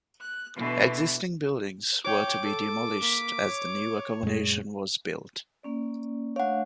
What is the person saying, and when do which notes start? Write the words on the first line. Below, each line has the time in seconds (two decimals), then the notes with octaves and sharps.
Existing buildings were to be demolished as the new accommodation was built.
0.21 F#6
0.56 B2 D3 E3
2.05 C#5 G5 D6
2.43 A4
3.02 A#3 B6
3.44 C#5
4.23 F#2 A#2 G#3
5.63 A#3 C#4 D5
6.36 A3 D4 C#5 F5 F#5